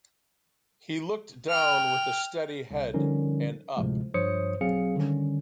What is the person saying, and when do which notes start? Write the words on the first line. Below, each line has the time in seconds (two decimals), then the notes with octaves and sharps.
He looked down with a steady head, and up.
1.49 G5 F6
2.71 C2
2.94 D3 F3 G3 C#4 D#4 A#4
3.77 D2 A2 C3 F3 G#3
4.14 G2 F3 C5 C#5 D#6 C#7
4.61 B1 F#3 C4 G#4 F5 C#7
4.96 D3 D#3 G3 C#4